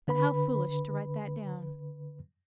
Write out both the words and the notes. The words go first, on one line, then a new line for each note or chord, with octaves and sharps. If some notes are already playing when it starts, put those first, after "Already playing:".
But how foolish to write that down!
D3 B4 B5